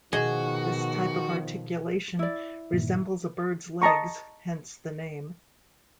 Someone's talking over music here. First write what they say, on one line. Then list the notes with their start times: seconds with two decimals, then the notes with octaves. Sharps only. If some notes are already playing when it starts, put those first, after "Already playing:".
This type of articulation resembles a bird's legs, hence the name.
0.13 B2 D#3 F3 F#4 G#4 D#5
2.19 E4 D5
2.73 G2 A#2 D#3
3.82 D#5 A5 A#5 C#6